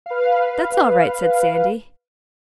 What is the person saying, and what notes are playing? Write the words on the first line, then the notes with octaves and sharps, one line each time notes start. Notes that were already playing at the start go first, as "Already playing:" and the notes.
'That's all right,' said Sandy.
B4 F5